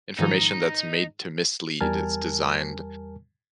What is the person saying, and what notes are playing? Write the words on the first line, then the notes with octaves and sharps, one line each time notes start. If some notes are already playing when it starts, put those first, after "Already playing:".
information that's made to mislead, it's designed
G#2 D#3 F3 D#4
E2 G3 A#4 G#5 A5 F6